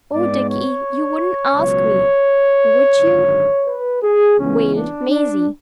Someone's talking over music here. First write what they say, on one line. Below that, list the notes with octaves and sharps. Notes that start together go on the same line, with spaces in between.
Oh, Dickie, you wouldn't ask me--would you?' wailed Maisie.
G#2 G#3 B3 D5
C#5
C#2 B2 F#3 B3 C#5
G#1 F#2 D3
B4
G#4
C#2 C#3 E3 B3 C#4
D4
D4